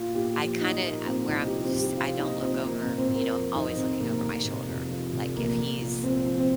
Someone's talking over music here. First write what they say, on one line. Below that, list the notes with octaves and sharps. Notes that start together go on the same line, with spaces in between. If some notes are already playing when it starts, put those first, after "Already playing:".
I kinda, I where I'm just I don't look over, you know, I'm always looking over my shoulder, like, if he's
Already playing: A#2 F4
A#2 G4
F3
A#2 D#4
A#2 A#3
A#2 C4
C2 D#4
G4
F3
C4
C2 G4
F3 F4
A#2 D#4
F3 C4
F3 A#3
C4
C3
C4
C3
A#4
F2
F2 D#4
C3 C4
C3 A#3
F1
C3
F2
F3
F1
A#1 A#3
A#1
A#2
A#1 C4
F3
C4